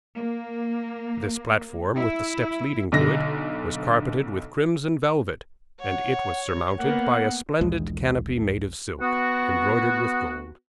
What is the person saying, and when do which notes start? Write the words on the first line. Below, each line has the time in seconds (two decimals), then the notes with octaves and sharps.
This platform, with the steps leading to it, was carpeted with crimson velvet, and it was surmounted by a splendid canopy made of silk, embroidered with gold.
0.16 A#3
1.96 E4
2.92 B1 D3 A#6
5.80 C#5 F#5
6.79 A#3 B3 A#4 F#5
7.61 A#1 D#2 E3 G#3
9.01 B3 F#4